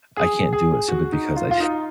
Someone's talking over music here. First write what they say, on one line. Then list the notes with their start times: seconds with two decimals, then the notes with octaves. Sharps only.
I can't do it simply because I
0.17 G#4
0.53 G#4
0.88 F#4
1.12 D#4
1.36 F4
1.51 F4
1.60 D#4